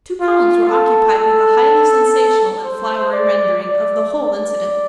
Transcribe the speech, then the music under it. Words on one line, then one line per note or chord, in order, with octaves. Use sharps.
Two columns were occupied with a highly sensational and flowery rendering of the whole incident.
F4
A4
A4
C5
D5
D5
D5